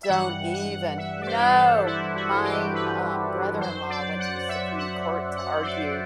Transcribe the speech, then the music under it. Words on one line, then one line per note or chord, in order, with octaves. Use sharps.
don't even. No! My um, brother-in-law went to the Supreme Court to argue
E5
G2 E3 G3 F#5
F#5
E5
D5
C5
A4
E4
F#4
G4
B4
F#2 F#3 C5
D5
F#5
E5
F#5
F#5
C5
D5